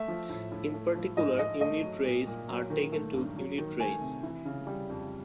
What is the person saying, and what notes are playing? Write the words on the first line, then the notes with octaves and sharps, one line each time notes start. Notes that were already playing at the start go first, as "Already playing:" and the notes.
In particular, unit rays are taken to unit rays.
Already playing: A3 E5
F3
A2
A2
A3
F3
G#2 D#5
G#2 D#5
A3 D#5
F#3
A#2
A#2
F#3
D#3
A3
G2
F#3
D#3
A3 G#5
C3
E3
C#3
G3
F2